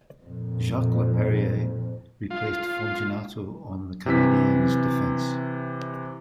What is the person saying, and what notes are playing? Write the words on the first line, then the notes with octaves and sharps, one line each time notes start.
Jacques Laperriere replaced Fontinato on the Canadiens defence.
F2 A#2
F4
C3 E3 B6